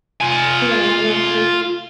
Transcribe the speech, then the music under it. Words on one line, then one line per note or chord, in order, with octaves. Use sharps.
Yeah, exactly.
F4 G#5